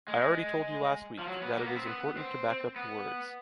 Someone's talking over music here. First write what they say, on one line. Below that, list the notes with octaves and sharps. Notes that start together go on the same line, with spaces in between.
I already told you last week, that it is important to back up your words.
G#3
F3
F#3
B3
A#3
B3
C4
B3
C4
B3